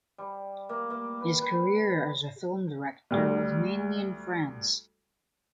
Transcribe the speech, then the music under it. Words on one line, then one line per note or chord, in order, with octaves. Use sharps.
His career as a film director was mainly in France.
G3
A#3
A#3
B4
B4
D2 G3